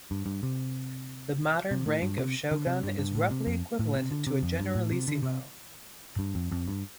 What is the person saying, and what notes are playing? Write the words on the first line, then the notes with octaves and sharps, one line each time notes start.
The modern rank of shogun is roughly equivalent to a generalissimo.
G2
G2
C3
C3
A2
G2
C3
D3
C3
G2
G2
A2
C3
F2
A2
C3
D3
C3
F2
G2
A2
C3
D3
C3
G2
F2
F2
G2